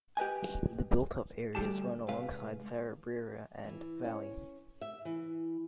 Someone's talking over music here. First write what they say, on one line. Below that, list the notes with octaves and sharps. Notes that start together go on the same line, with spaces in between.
The builtup areas run alongside Sarab River and Valley.
G4 B4 D#5 G#5
D2 D3 G3 G4 A5
G#2 C3 B4 F5
E3
C#4
E5
E3